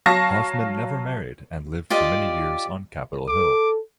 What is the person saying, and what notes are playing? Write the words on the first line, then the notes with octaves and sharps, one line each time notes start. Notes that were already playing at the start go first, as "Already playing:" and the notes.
Hoffman never married and lived for many years on Capitol Hill.
F#3 F5 A5 C#6 A#6
F4 G4 D5 D#5
A4 D6